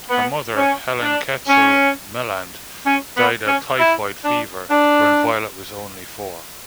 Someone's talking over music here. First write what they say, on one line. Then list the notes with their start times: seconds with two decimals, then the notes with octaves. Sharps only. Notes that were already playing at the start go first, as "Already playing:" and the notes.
Her mother, Helen Kelsall Melland, died of typhoid fever when Violet was only four.
0.10 B3
0.56 C#4
1.02 D4
1.47 C#4
2.86 C#4
3.17 B3
3.47 C#4
3.78 E4
4.24 D4
4.70 D4